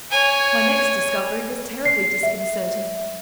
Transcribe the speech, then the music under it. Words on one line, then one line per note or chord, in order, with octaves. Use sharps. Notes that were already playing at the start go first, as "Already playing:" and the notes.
My next discovery was terribly disconcerting.
C#5 G#5
C7
E5